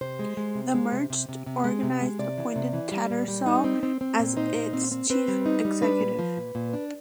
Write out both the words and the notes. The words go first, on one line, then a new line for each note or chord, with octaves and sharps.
The merged organised appointed Tattersall as its chief executive.
C3 C5
G#3
G#3
C3
G#3
C3
C3
C3
C3
G#3
C3
G#3
C3 D5
E3
C3
E3
G3
A#2
G3
D#4
C4
C4
C4
A#2
D#4 C5
A#2
C4
C4
C4 B4
G3
D#4
G3
D4 B4
A#2
F3
A#2
A#2
D4